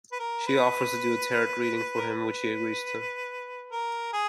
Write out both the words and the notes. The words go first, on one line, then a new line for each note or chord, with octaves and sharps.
She offers to do a Tarot reading for him which he agrees to.
B4
A#4
B4
A#4
B4
A#4
G#4